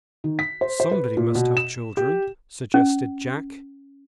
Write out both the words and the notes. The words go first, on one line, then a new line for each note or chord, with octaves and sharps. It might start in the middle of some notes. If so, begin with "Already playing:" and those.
"Somebody must have children," suggested Jack.
D#3
B6
C5
C5
B4
A#2
B2
E7
G4
C#4